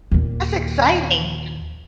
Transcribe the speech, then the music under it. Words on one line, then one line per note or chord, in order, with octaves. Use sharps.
That's exciting.
D#2 A#2